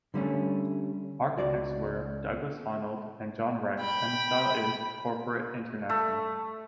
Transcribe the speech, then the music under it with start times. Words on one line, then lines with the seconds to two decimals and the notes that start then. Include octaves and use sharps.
Architects were Douglas Honnold and John Rex and the style is "Corporate International".
0.14 D3 G3 A3 C#4
1.37 C#2 F#4 D5
3.80 G5 B5
5.90 A3